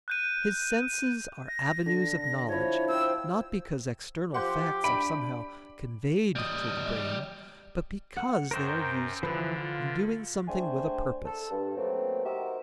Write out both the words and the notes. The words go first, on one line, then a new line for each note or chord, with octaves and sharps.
His senses are avenues of knowledge not because external facts are somehow "conveyed" to the brain, but because they are used in doing something with a purpose.
F#6 G6 D#7
A#6
D3
F3 E4 C#5
C5 D#5 G5 E6
F3 G4 F#5 C6 G6
D4 B5 D7
G3 D#5
F#5
F#2 A#4 C5 G5
D3 E3 F3 B4
F4
G#3 A3 D4 C5 G5 G#5
A4
G2
B2 F#3 A3 A#3 C4
D#4 F#4 G4 A#4 C5 E5